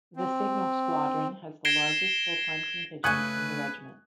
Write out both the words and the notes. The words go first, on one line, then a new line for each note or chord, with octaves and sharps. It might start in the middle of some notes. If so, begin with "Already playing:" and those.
The signal squadron has the largest full-time contingent in the Regiment.
C4
G#6 A#6 C7 D7 E7 G7
C#3 A3 B4 G#5 C#6 D#6 F#6